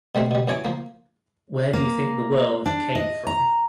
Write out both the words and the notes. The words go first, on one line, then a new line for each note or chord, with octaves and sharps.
Where do you think the world came from?
B2 G3 A3 C4
B2 G3
F#2 E3 C#5 G#5 D6
F3 A#3
A#3
D4
D#5
A#5